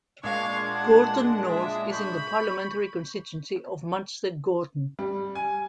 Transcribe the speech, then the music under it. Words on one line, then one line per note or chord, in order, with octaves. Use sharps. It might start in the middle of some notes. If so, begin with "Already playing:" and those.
Gorton North is in the parliamentary constituency of Manchester Gorton.
A#2 G#3 D4 F5 C#6 G#6
F#5 A5
E5 D#6
B5 C#6 G6
G3
G#5